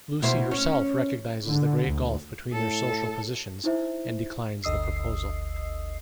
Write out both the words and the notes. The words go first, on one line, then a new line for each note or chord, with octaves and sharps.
Lucy herself recognises the great gulf between their social positions and declines the proposal.
B2 E4 C5
C#4
D3
D2
A2 A4
D#4 E4 C5 E5
G1 D2 D#5 D#6 E6 C7